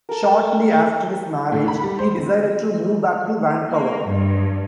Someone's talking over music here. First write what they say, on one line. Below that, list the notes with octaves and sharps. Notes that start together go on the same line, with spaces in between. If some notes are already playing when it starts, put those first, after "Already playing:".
Shortly after his marriage, he decided to move back to Vancouver.
A4 A#4
A2
B5
G3
C5
C4
A#3
G2